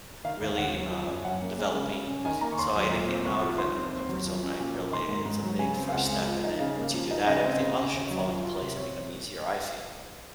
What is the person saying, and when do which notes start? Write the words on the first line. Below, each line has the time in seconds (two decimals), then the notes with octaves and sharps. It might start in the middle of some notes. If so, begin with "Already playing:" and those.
really, um, developing, so I think getting out of it- the comfort zone- I really is a big first step; and it and once you do that, everything else should fall into place and become easier, I feel.
0.24 D#3 F5
0.41 D#2
0.58 D#2 F#5
0.74 F#3
0.91 F3
1.09 F#2
1.25 F#2 F#5
1.41 A#3
1.59 G#3
1.75 C#3
1.91 C#3
2.08 C#4
2.25 D#3 G#5
2.41 A#3 A#5
2.52 C#6
2.58 D#2 C6
2.76 F#3
2.91 A#2
3.09 C4
3.25 C2 C#6
3.42 F3
3.58 D#3 C6
3.75 C4
3.93 D#2
4.09 F#3
4.26 F3
4.43 C#4
4.60 A#2
4.76 A#3
4.92 D#3 C6
5.09 G#2
5.26 G#2
5.43 F#3
5.59 C#3 G#5
5.77 C4
5.89 F5
5.93 C#2 F#5
6.10 G#3
6.27 F3
6.44 D#4
6.59 C#3 F5
6.77 A#3
6.94 F3
7.11 D#4
7.27 C#3 D#5
7.44 C4
7.60 C#3
7.78 C#4
7.93 D#2
8.11 F#3
8.27 F3
8.43 F4
8.61 C3
8.77 C4 C#5